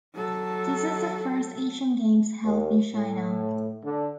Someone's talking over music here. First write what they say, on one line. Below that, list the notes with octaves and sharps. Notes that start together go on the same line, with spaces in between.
This is the first Asian Games held in China.
F#3 A4
D#2
A2
D3